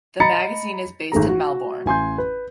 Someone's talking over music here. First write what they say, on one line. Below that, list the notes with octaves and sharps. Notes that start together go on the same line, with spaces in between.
The magazine is based in Melbourne.
D#5 A#5 B5 A6 C#7
G#1 A3 G#4 A#5
F#4
A1 G#5 C6 G6
B4